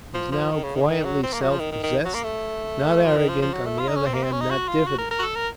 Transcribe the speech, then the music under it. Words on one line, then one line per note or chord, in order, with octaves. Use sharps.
He was now quietly self-possessed; not arrogant; on the other hand, not diffident.
F3
F3
D#3
C#3
D#3
C#3
D#3
F#3
C4
A#3
F#3
F3
D#3
D#3
D#3
F#3
A#3
A3
F3
D#3
F3
F3
F#3
A3
F4
D#4
C#4
C4
A#3
C4
C#4
D#4
F#4
F4
F#4
A#4
A#4
F#4
A4
A#4